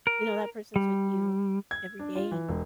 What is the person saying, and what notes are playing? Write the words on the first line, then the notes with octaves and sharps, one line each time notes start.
you know, that person's with you every day
A#4
G3
G#6
D4
F4
E3
E1